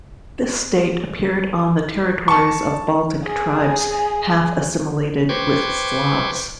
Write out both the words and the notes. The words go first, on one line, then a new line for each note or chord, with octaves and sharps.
This state appeared on the territories of Baltic tribes half-assimilated with Slavs.
A5 C#6
G#4 G#5
B4 C5 G5 C#6 D6 G#6